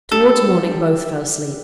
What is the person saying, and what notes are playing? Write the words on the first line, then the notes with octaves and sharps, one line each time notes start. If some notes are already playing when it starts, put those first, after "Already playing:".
Towards morning both fell asleep.
G3 D4 G4 A4
G3 D4 G4